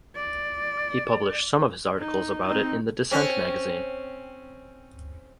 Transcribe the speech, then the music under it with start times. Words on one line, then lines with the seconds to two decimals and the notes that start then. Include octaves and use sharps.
He published some of his articles about it in the Dissent Magazine.
0.15 D5
1.99 D#4
2.46 C4 D#4
3.11 C4 C#4